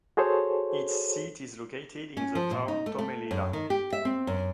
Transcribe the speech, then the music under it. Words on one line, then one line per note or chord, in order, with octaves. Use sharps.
Its seat is located in the town Tomelilla.
F#4 G#4 A4 C5 C#5
C#4
F3
A#2
D#4
A3
A3
F#2
D#3
G4
E5
C4
F#2